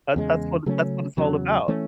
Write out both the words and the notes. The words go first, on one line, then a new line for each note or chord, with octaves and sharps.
That that's how that's what it's all about
E2 C#3 G#3
C#3 F#3 A3 C#4
E2 C#3 F#3
E3 A3 C#4